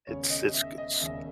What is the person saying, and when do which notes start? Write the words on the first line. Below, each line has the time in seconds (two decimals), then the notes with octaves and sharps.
it's it's g it's
0.07 E1 D#2 C#3 C#5
0.30 D#5
0.54 E5
0.78 D#5
1.00 E1 D#2 C#3 E5